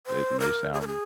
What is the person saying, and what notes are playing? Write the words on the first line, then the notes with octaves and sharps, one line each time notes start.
that may sound,
C5
A#4
G#4
A#4
G#4